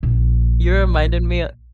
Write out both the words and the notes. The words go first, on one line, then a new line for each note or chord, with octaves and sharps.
You reminded me, uh
A#1 A#2